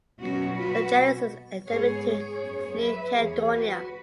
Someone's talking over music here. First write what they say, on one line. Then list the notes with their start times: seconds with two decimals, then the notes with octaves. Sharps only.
The genus is endemic to New Caledonia.
0.20 B2 F#3 B3 C#4 F#4
0.58 F#4 B4
0.95 B2 B3
1.68 G#2 G#3 B3 G#4 C#5
2.06 G#4 C#5
2.43 F#2 F#3 B3
2.79 B4 E5
3.16 E2 E3 B3 G#4 C#5
3.53 F#4 B4